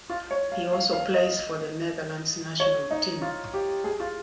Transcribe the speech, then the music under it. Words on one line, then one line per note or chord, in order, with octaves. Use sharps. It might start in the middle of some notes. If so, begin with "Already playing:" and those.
He also plays for the Netherlands national team.
F4
C#5
F5
F5
F5
D#5
C#5
D#4
F4
G4
G#4
F4